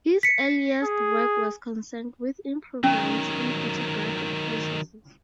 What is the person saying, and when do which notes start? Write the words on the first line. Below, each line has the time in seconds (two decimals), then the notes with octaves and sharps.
His earliest work was concerned with improvements in photographic processes.
0.23 B6 C#7
0.84 G#4
2.84 D#3 F#3 C#4